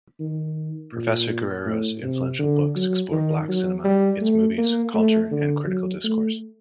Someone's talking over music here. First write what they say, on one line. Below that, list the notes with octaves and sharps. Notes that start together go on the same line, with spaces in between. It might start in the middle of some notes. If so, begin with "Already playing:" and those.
Professor Guerrero's influential books explore black cinema, its movies, culture and critical discourse.
D#3
A#2
A2
C3
D3
F#3
D#3
F#3
G3
A3
A#3
A3
D3
F#3
A3